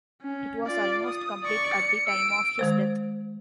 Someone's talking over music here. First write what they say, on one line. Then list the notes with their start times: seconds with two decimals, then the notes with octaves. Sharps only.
It was almost complete at the time of his death.
0.22 C#4
0.67 F4 D5
1.06 D#6
1.42 D5 C#6
1.74 C#7
2.06 E6 D7
2.59 D#3 G#3 C5